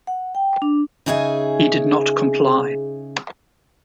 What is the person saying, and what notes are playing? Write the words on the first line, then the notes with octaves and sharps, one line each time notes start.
He did not comply.
F#5
G5
D4
C#3 D#4 G#4 E5 F#5 G#5